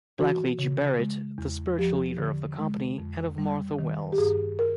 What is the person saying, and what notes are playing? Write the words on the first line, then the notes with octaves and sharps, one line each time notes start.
Blackleach Burritt, the spiritual leader of the company, and of Martha Welles.
E3 F#4
C#3
G#3
E2
F3 G4
D3
G#3
F2
G3
D#3
G4
G2 G#4
A#4